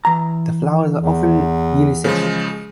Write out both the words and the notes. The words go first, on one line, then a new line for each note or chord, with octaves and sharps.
The flowers are often unisexual.
E3 A#5
E2
C#3 F3 G#3